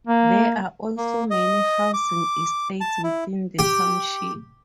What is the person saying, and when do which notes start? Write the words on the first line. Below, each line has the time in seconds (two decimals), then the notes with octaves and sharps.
There are also many housing estates within the township.
0.07 A#3
0.97 A#3
1.30 D#5
1.94 D6
2.81 A5
3.04 E4
3.59 G4